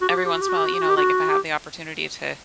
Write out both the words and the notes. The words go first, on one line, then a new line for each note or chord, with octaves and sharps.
every once in while, know, like if I have the opportunity to,
F#4
G4
F#4
G4
F#4
G4
F#4
G4
F#4
G4
F#4
G4
F#4
G4